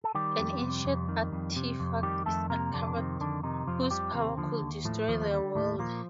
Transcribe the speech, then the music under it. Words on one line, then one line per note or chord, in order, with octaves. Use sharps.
An ancient artifact is uncovered, whose power could destroy their world.
A4
D#3 G3 G4
F2
C3
F2
D#3
F2
C3
F2
D#3 G3 G4
F2 A3 A4
C3 A#3 A#4
F2 D3 D4
C3 D#3 C4
F2 D3 D4
C3 D#3 D#4
F2 F3 F4
F4
F3 G3 G4
D#2 C3 C4
D3 F3
D#2
A2 F3 A3
D#2 F3
A3
D3 G3
D#2 A2 A3
A#2 F3 A#3